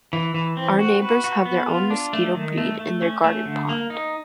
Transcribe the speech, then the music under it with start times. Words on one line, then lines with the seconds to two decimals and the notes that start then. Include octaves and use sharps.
Our neighbors have their own mosquito breed in their garden pond.
0.13 E3
0.34 E3
0.57 C4
0.79 F#4
1.02 B4
1.24 F#4
1.46 B3
1.69 F4
1.90 D4
2.13 A3
2.35 D#3
2.58 A3
2.79 A3
3.02 C#4
3.24 A3
3.46 D3
3.69 A#3
3.90 D#4